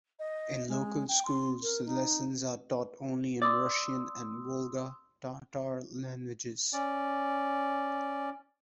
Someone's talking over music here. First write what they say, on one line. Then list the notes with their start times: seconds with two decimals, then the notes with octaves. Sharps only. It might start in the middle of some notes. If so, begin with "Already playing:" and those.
In local schools the lessons are taught only in Russian and Volga Tatar languages.
0.19 D#5
0.69 G#3
1.08 G5
1.25 C6
1.62 A#4
1.86 D#4
3.42 D5 C6 D#6 E6
6.73 C#4 D5